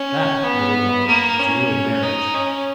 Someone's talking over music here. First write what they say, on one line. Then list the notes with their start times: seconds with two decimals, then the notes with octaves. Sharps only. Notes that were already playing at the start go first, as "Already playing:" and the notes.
That, little Love, is real marriage.
Already playing: C#4
0.43 B3
1.07 A#3
1.39 C#4
2.03 D#4
2.34 C#4